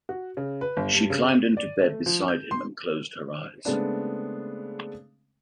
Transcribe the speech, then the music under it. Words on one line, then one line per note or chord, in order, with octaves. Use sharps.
She climbed into bed beside him and closed her eyes.
F#4
C#3
B4
G1
G2
C#3
D#7
D5
A3
F3
G6
C6
C#3 G#3 A3 B3 C4 D4